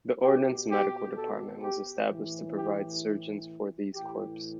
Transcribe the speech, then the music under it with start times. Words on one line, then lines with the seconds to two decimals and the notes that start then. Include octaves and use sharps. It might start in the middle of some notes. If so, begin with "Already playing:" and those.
The Ordnance Medical Department was established to provide surgeons for these corps.
0.22 B2 G4
0.69 G4
1.15 A4
1.63 G4
2.09 A2 E3
2.56 G4
3.95 A2 E3 G4